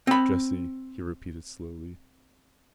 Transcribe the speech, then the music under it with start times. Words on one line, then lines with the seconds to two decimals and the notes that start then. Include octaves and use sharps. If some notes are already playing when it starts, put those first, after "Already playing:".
"JESSIE," he repeated slowly.
0.07 C4 B5